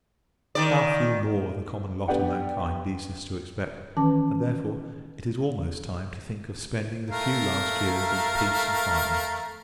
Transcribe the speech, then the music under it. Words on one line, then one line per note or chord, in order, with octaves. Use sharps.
How few more, the common lot of mankind leads us to expect; and, therefore, it is almost time to think of spending the few last years in peace and quietness!
D#3 D5
B3 D4 G4 D5 F#5 G5
D#3 E3 C#4 B4 A5 D6
A3 A#4 F5